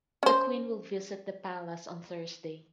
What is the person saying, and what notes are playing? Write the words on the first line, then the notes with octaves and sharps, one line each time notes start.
The queen will visit the palace on Thursday.
C#4 C5